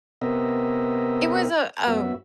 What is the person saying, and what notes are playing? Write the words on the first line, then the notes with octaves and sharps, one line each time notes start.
It was a a
C3 B3 C4 A#4 D#5 E5
F#2 B3 F#4 E5